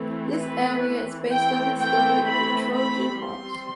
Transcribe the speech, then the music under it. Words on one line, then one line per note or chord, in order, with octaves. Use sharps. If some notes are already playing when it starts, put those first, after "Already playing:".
This area is based on the story of the Trojan horse.
Already playing: E3 A3 C4
B4
E3 A3 C4 G5
G5
B5
B5
G3 C4 C6